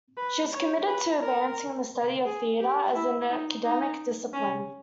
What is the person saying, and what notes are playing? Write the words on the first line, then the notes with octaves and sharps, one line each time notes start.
She was committed to advancing the study of theatre as an academic discipline.
B4
C#5
B4
A#4
G#4
G4
E4
D#4
D#4
C#4